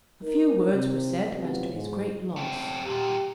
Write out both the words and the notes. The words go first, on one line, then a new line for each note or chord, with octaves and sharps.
A few words were said as to his great loss.
D#4 A#4
C3
A2 C3 F#3 B3 F4
G#2
A3 C4
D#2 A#2 G4